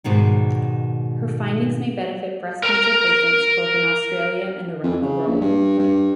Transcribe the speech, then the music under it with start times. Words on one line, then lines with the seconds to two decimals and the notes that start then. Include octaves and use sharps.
Her findings may benefit breast cancer patients both in Australia and around the world.
0.04 G#2 B2 D#3 G3
2.63 A#4 A#5
4.83 F2
5.02 C#3
5.26 A#1
5.41 G2
5.79 G2